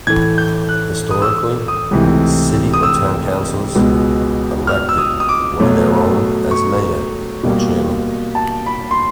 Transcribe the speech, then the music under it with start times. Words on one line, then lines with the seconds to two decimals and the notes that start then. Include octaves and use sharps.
Historically, city or town councillors elected one of their own as mayor, or chairman.
0.07 A2 E3 A3 G#6
0.38 G6
0.69 F#6
1.11 D#6
1.22 E6
1.68 D#6
1.91 C#2 C3 E3 A3
2.74 D#6
2.83 E6
3.75 C#2 B2 G#3 B3
4.67 F6
4.89 E6
4.98 D#6
5.20 D#6
5.29 D6
5.59 B2 F#3 A3
6.51 C#6
7.43 B2 G3 A#3
8.35 A5
8.66 B5
8.91 C6